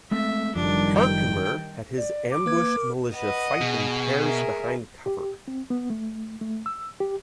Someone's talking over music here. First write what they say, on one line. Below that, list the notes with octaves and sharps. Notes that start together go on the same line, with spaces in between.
Herkimer had his ambushed militia fight in pairs behind cover.
G#3 A3 C4 E5
F#1 F#2 D#3 F3 G3 D4
G5
D5
D6
A#3 B4 G#6
A#4
B4 D#5 F#5
B2 G#4
A#4 E5
G4
C4
B3
A3
A3
E6
G4